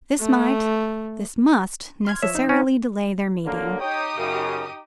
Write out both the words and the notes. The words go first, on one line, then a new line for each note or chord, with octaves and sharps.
This might, this must, necessarily delay their meeting.
A3
C6 F6 G#6
F3 C#5 E5
D#4
C#4
D3 F#3 A#3
D#4 G4 C#5 G5 D#6
F#2 C#3